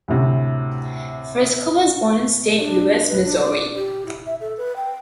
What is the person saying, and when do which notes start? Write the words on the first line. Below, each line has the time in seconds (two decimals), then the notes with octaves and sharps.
Frisco was born in Saint Louis, Missouri.
0.08 D2 A2 C3
2.60 D4
3.08 B4
3.25 D4
3.38 D5
3.76 G4
4.06 E4
4.26 E5
4.41 A4
4.58 B4
4.76 G5